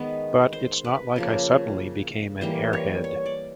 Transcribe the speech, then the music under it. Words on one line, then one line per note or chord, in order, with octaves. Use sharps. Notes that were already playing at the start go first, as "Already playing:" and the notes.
But it's not like I suddenly became an airhead.
Already playing: D#3 G#3 B3 B4
C5
B4
C#3 F3 A#3
E3 G3 A#3 C5
C#5
C#5
D5